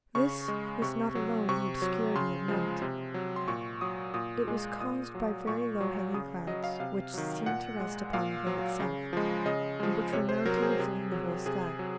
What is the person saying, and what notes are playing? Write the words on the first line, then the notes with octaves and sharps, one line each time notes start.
This was not alone the obscurity of night; it was caused by very low-hanging clouds which seemed to rest upon the hill itself, and which were mounting and filling the whole sky.
C#3 C#6
G#3
C3 C#6
F#3
C3 C#6
F#3
C#3 C6
F3 G#3
C3
F#3
C6
A#2 C#6
F#3 D#6
A#2 D#6
G#3
A#2 D#6
F#3
A#2 C#6
F#3
C#3 D#6
F#3 D#5
F5
C3 F5
D#3 F#3
A#2 F#5
G#3
A#2 F5
F#3
C#3
F3 G#3
C#3 D#5
F3 G#3
C3 C#5
C5
F#3 A#4
A#4
G#4
C3
F#3
C3 G#4
F#3